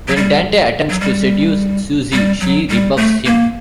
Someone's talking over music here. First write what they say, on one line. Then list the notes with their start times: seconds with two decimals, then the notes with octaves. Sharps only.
When Dante attempts to seduce Suzie, she rebuffs him.
0.08 F#3
0.16 G3
0.90 F#3
1.01 G3
2.13 G3
2.40 F#3
2.69 G3
2.97 A3
3.25 A#3